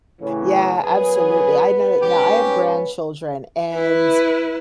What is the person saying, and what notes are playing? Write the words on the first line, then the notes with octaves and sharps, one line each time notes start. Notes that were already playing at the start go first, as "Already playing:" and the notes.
Yeah, absolutely, I know that now, I have grandchildren, and
A2 C#3 E3
F#2 B3 G#4
G#2 C#4 G4
E4 B4